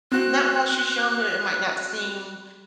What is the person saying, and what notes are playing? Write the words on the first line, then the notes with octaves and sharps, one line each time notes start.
not while she's younger, it might not seem,
C4 F#4 F#6